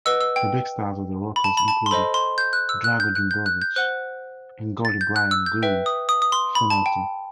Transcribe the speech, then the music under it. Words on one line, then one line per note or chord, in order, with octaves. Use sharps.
The big stars of the Rockers included Drago Dumbovic and goalie Bryan "Goose" Finnerty.
B4 D#5 F#5 E6
E6
G5
B5
A5
B5
A5
C6
A4 C5 D#5 B5
C6
G6
F#6
E6
F#6
G6
F#6
G6
F#6
G6
C5 F#5 F#6
A6
G6
F#6
E6
G6
B4 E5 G5
D#6
D#6
D#6
C6
B5
A5
G5